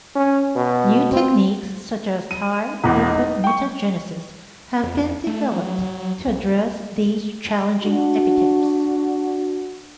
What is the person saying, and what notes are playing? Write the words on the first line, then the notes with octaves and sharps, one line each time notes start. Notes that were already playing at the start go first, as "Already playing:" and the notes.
New techniques such as high-throughput mutagenesis have been developed to address these challenging epitopes.
C#4
B2
C4
D#7
E1 E2
D#4
G5 C#6
F2
A3
F#3
C2
D4 F#4